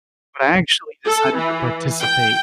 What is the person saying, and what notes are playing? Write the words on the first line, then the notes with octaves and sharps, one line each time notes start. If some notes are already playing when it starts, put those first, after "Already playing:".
but I actually decided to participate
A4
E3
G5